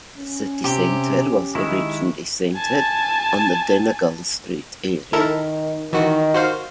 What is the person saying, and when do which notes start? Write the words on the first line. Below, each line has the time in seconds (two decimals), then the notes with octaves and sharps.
The city centre was originally centred on the Donegall Street area.
0.17 C#4
0.64 C3 G4
1.55 D#3 G#3 E4
2.55 G#5 A5
5.13 D#3 E4 A4 A#4
5.93 D#3 E3 F#4
6.34 F#4 C5 F5